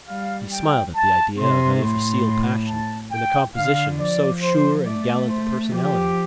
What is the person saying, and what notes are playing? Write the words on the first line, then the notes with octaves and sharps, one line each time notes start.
He smiled at the idea of any facile passion in the composition of so sure and gallant a personality.
G3 F5
G5
A5
C3 C6
A2 C6
A5
G5
D3 F5
F3 D5
C5
A3 D5
C5
F3 G4